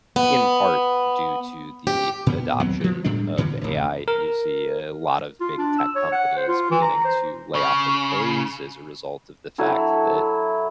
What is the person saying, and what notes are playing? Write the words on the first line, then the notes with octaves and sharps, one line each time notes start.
in part, due to the adoption of AI, you see a lot of big tech companies beginning to layoff employees as a result of the fact that
B3
G4
A#2 B3
D#2 F#3 B3 C4
E3 F3
A2 G3 G#3 D4
G2 A#2 D3 E3
F1 D2
A#4
F4
D4
E6
C#5
F#5
C5
F4
E3
A#5
C5
C#3
F#3 E4 A4